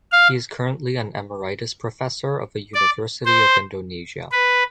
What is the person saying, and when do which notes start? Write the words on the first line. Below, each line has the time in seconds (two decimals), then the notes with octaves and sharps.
He is currently an Emeritus Professor of the University of Indonesia.
0.12 F5
2.74 D5
3.26 C5
4.32 B4